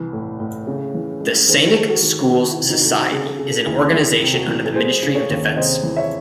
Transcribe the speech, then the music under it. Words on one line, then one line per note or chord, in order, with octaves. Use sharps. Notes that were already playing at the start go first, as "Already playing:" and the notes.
The Sainik Schools Society is an organization under the Ministry of Defence.
Already playing: C2 E3
A2
A2
C#3
E3
G#3
D#3 G#4 C5
G#3
F#4 A4
D#3
D#3 D#4 F#4
E4
C3
D#4 F#4
A3
D#4 F#4
C#3 G#4
A4
C#3 G#4
A4
D#2 E4 G#4
E3 E4 G#4
C3
F#4 A4
E3
A4
G#3 G#4 C5
C#3
A4 C#5
D#2
C3 C5 D#5
E3
C#5 E5